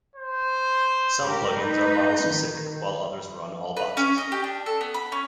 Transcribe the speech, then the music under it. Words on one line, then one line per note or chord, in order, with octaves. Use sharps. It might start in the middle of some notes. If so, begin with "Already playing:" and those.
Some plugins are model specific, while others run all boxes.
C5
G4 A#4
D#4 B4 G6
D#3
B4
C#4
D#5
G4
D4
A4
B3
B5
C#4